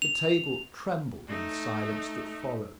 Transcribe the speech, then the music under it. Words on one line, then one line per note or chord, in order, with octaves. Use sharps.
The table trembled in the silence that followed.
F7
A3 D#4